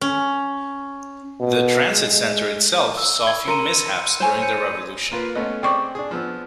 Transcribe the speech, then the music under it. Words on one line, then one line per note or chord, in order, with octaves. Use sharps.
The transit center itself saw few mishaps during the revolution.
C#4
B2
G#3
E6
B5 G#6
A#4 C6 C#7 D#7
C5 C#5 G#5
G6 C#7 D#7
A#3 F4 B4
A3 B3 C#4 D#5
C4 G#4 D5 G5 C#6 D6
D4 G#4
F3 B3 E6